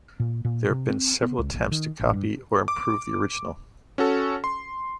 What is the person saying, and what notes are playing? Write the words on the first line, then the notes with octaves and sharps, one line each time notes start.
There have been several attempts to copy or improve the original.
A#2
A#2
C3
C4
B3
C#2
A#1
D#3
A1
G2
D6
C#4 F#4 A4
C6